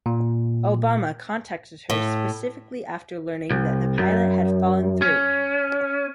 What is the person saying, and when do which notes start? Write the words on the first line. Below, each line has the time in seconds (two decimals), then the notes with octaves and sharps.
Obama contacted her specifically after learning that the pilot had fallen through.
0.06 A#2
1.90 A2
3.51 C2
3.99 F#2
5.02 C#4